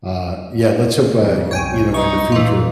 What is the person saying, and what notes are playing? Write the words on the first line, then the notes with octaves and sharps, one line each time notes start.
uh, yeah, let's hope, I you know, in the future
F2
C2 F#2 C#5 G5 G#5
D#4 C#6
A#2 E3 F4